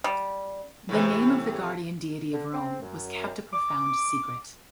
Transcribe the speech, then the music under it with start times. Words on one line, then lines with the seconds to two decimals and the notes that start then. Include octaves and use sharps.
The name of the guardian deity of Rome was kept a profound secret.
0.04 G3
0.89 A2 C3 E3
2.33 D3
2.53 C4
2.82 F#2
3.53 D6